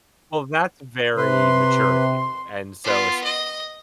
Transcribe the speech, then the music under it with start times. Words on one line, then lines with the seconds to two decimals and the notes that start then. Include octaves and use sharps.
Well, that's very mature of you, and so, es
1.17 C3 B4 C6
2.84 B3 F4
3.23 D#5